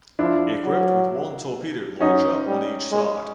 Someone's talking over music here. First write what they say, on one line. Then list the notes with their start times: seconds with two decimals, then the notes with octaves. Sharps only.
Equipped with one torpedo launcher on each side.
0.19 F3 D4 E4
0.65 F#3
2.00 F#3 C#4 D#4
2.47 G3
2.92 G#3